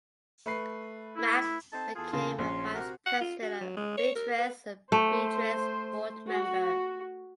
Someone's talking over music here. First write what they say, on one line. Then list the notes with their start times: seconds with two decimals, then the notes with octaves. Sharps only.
Mack became a vice president of Beatrice and a Beatrice board member.
0.46 A3 B4 C7
1.16 E4
1.73 C4 D#4 A4 A5
1.96 E2 F4 G#4 A4
2.13 C#3 C6
2.39 A#1 C#4 C6
2.74 C3 F#4 A#4
3.06 F#5
3.21 F4
3.42 F#4
3.61 F#3
3.77 G#3
3.98 C#5
4.15 A#4
4.38 B4
4.92 A3 C5
6.30 F#4